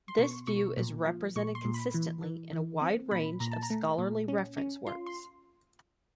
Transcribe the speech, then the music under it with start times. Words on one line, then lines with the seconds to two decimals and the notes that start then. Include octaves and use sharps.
This view is represented consistently in a wide range of scholarly reference works.
0.08 C6
0.18 B2 C#6
0.47 B2 C#6
0.77 A#2
1.06 F3
1.36 A#2 C#6
1.55 C6
1.65 A#2
1.74 B5
1.94 E3
2.23 E3
2.53 E3
2.82 C4
3.11 A#2 B5
3.40 A#2 A#5
3.51 A5
3.63 A#5
3.70 A3
3.98 A#2
4.28 C#4
4.57 C#4
4.87 F4 C6
5.06 C6